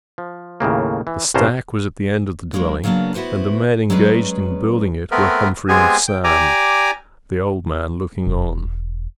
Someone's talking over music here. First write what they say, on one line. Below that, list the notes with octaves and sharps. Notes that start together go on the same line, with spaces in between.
The stack was at the end of the dwelling, and the men engaged in building it were Humphrey and Sam, the old man looking on.
F3
D#2 A2 C#3 A#3
E3
C2 G2 C#4 D4 C5 A#5
F#3 G#3 A#3 C4 D4
C#3 F#3 A#3 B3 D4
B3 E4 F#4 B4 C5
F#3 G#3 C#4 G#4 B4 D5
A3 B3 C4 A#4 B4
G#3 B3 C4 G4 G#4 G#5
G5
G4 D5 G#5 A#5 D6
E1